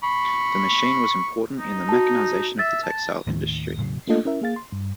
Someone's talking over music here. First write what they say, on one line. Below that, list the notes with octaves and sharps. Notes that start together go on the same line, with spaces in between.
The machine was important in the mechanization of the textile industry.
B5 C#6
D#4
F#4 A5
E5 A6
A5
D#2 A2 D#3
E1 A2 C#3 F#3
A3 A#3 D4 F4 A4 D#5
C#4 E4 A#4 E5
A#3 G#4 F5 A6
C6
G2